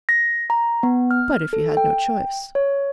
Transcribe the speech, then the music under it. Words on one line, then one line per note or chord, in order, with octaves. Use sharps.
"But if he had no choice?"
A#6
A#5
B3
F6
A4
G5
C#5